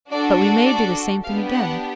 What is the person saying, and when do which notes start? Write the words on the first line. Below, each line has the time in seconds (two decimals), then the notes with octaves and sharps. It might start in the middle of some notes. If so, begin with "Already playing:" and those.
But we may do the same thing again.
0.10 D4 F#4 A4 D5
0.40 D5
0.67 D5
1.24 B3 D4 G4 F5
1.52 F#5